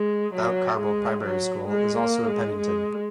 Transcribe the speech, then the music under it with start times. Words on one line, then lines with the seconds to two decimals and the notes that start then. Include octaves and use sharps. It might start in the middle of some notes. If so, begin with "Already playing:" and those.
Mount Carmel Primary School is also in Pennington.
Already playing: G#3
0.34 F#3
0.78 G#3
1.24 F#3
1.68 G#3
1.98 A#3
2.27 G#3
2.57 G#3